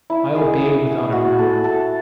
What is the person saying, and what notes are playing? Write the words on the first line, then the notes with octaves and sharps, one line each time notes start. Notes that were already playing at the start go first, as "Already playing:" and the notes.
I obeyed without a murmur.
E4
G#4
G#4
G#4
F#4
A4
A4